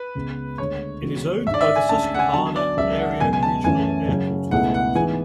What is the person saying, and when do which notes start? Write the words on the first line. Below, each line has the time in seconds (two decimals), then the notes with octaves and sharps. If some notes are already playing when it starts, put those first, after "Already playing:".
It is owned by the Susquehanna Area Regional Airport Authority.
Already playing: B4
0.15 C#2 C#3 G#3 B3
0.58 D2 D3 G#3 C#5
1.02 C#3 E3 G#3 B3 F#4
1.46 G#1 G#2 G#3 D4 E5
1.54 D5
1.61 E5
1.76 G#5
1.89 D2 D3 G#3 C#4 A5
2.14 F#5
2.19 G#5
2.33 D3 F#3 B3 F#4 A5
2.56 D5
2.77 C#2 C#3 F#3 E5
2.99 F#5
3.20 C#2 B2 F#3 G#5
3.33 G#5
3.43 A5
3.64 F#2 E3 A3 C#4 G#5
4.08 F#2 C#3 F#3 C#4
4.51 C#2 B2 A3 E4 G#4 F#5
4.74 F#5
4.95 G#2 E3 B3 E4 G#4 G#5